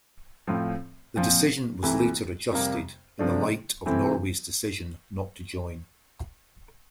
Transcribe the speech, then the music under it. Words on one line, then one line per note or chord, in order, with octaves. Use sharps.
The decision was later adjusted in the light of Norway's decision not to join.
A2 F3 C4 F4
A#2 F3 C4 F4
C2 C3 E3 A3 E4
F2 C3 G3 A#3
C3 F3 A3 D4
C3 E3 A3 C4 E4